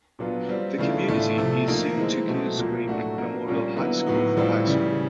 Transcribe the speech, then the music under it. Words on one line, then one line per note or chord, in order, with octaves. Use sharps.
The community is zoned to Goose Creek Memorial High School for high school.
A#2 F#3 B3 D4 F4
G3 C4 F4
C#3 E3 A3 D4 F4
A2 E3 A3 D4 F4
C3 F3 A3
F3 A#3 D#4
E3 G#3 C4
B2 F#3 A3 C4
A#2 F3 A#3
A2 F#3 A3 D4 F#4
F3 A#3 D4
A#2 G3 A#3 C#4 F4
D3 F#3 B3 E4
A2 F#3 B3 D#4
A2 E3 G3 C4 F4
C#3 E3 G3